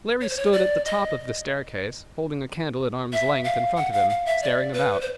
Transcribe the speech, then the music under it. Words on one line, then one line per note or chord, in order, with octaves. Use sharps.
Larry stood at the top of the staircase, holding a candle at arm’s length in front of him, staring about.
C#5
C5
C#5
D5
D#5
E5
F5
F#5
F5
F5
E5
D5
B4
C5